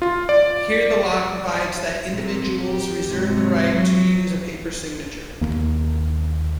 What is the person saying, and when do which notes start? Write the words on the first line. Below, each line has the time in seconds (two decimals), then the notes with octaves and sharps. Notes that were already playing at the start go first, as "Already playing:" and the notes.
Here the law provides that individuals reserve the right to use a paper signature.
0.02 F4
0.29 D5
2.13 A#2 C4
2.61 G4
3.08 G#2 C3
3.70 F#3
5.41 D#2 A#3